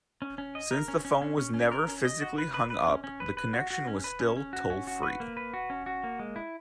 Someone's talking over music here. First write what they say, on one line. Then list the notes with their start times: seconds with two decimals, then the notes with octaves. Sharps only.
Since the phone was never physically hung up, the connection was still toll-free.
0.22 C#4
0.38 C#4
0.55 D#5
0.71 A#4
0.88 C#4
1.05 C#4
1.22 C#4
1.38 C#4
1.54 C#4
1.72 A#4
1.88 C#4
2.05 D#5
2.21 F#4
2.38 B4
2.54 B4
2.70 B4
2.87 C#4
3.04 C#4
3.20 B4
3.37 B4
3.53 F#4
3.70 F#4
3.87 C#4
4.04 B4
4.20 C#4
4.37 C#4
4.53 F#4
4.70 C#4
4.87 F#4
5.03 B4
5.20 A#3
5.37 B4
5.54 F#4
5.70 C#4
5.86 F#4
6.04 A#3
6.19 G#3
6.36 E4